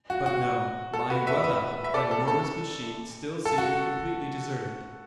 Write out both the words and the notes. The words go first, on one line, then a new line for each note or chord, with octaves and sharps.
But no. Lying well out, that enormous machine still seemed completely deserted.
F#4
F#4
A4
F#4 B4
B4 E5
B4 E5
E5
A4 D5
A4
A4
A4
F#4